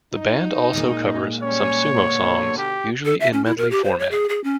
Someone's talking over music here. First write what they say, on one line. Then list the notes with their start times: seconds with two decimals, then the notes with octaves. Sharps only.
The band also covers some Sumo songs, usually in medley format.
0.14 D#4
0.73 A#2 G#3 A#3
1.43 G3 C#4 C#5
2.03 B2 D3
2.58 G4
3.05 A4
3.20 E5
3.33 C#4
3.45 E4
3.58 A#4
3.71 G4
3.84 C5
3.99 C#5
4.11 G#4
4.29 G#4
4.44 C#4